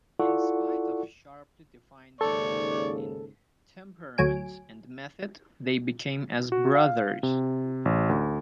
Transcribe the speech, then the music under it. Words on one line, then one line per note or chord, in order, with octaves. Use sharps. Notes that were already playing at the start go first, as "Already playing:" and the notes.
In spite of sharply defined differences in temperament and method, they became as brothers.
E4 F4 A4 D5 F#5 C#6
D#2 G#2 C#3 A4 D5 C#6
D2 F#3 G#5 D7
F#4
F5
C3
A1
D2